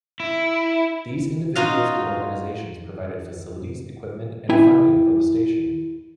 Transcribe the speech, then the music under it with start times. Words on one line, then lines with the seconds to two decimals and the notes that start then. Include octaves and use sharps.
These individuals and organizations provided facilities, equipment, and funding for the station.
0.20 E4
1.55 D#4 F4 F#4 F5
4.50 E4 G5 G#5